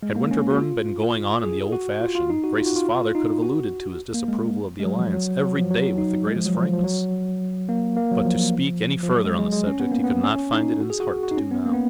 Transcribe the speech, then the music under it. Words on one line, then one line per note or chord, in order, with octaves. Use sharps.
Had Winterborne been going on in the old fashion, Grace's father could have alluded to his disapproval of the alliance every day with the greatest frankness; but to speak any further on the subject he could not find it in his heart to do now.
G#3
A#3
C#4
F#4
F4
G#4
F#4
F4
F4
D#4
F#4
F4
F#4
F4
D#4
F#4
A#3
G#3
G#3
F#3
F3
F#3
F#3
F3
F#3
D#4
G#3
F3
F#3
F3
F3
F#3
A#3
A#3
F#3
F3
F3
F#3
G#3
G#3
G#3
C#4
B3
A#3
B3
C#4
D#4
F#4
G#4
F#4
F#4
D#4
C#4
B3
A#3
B3